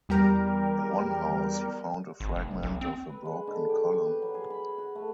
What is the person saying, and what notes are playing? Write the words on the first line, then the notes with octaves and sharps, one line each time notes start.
In one house he found a fragment of a broken column.
E2 G3 G4 A#4
G#1
F1
B1
C4
B4
G#3
D3
G4
C#6
B4
F#3
G#4
B5
F#4
A3